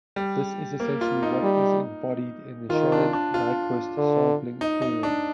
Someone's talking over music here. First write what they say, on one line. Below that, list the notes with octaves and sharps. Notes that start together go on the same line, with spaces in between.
This is essentially what is embodied in the Shannon-Nyquist sampling theorem.
G3
A#3
F4
D#4
G3
D#3 F4
D4
D4
F4
D3
D#4
D#4
D4